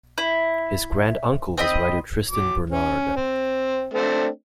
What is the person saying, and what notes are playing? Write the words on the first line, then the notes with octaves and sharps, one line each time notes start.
His grand-uncle was writer Tristan Bernard.
E4
C4 D#5 B5
F#3 D6
C#4
C4
A3 C4 D4